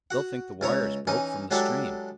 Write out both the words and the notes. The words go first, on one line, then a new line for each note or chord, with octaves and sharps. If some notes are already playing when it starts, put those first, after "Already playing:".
They'll think the wires broke from the strain.
F#4 F#5
C#2 E4 C#5 A#5
E3 C#4 D#4
F#3 G#3 D4 E4 G4 A4